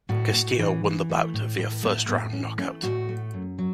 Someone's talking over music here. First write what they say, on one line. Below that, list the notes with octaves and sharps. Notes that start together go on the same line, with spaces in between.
Castillo won the bout via first round knockout.
A2 F#4
A2
E3
E3
A3
A2
A2 E4
A3 B3
A2 B3
E3 C#4
A3 C#4
A2 F#4
A3
F#2
F#3